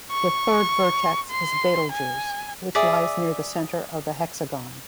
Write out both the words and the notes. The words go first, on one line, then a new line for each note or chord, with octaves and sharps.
The third vertex is Betelgeuse, which lies near the center of the hexagon.
C#6
C6
G#5
G#4 D5 E5